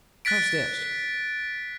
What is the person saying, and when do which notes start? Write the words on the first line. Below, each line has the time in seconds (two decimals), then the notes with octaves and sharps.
How's this?
0.25 F#6 A6 B6 D7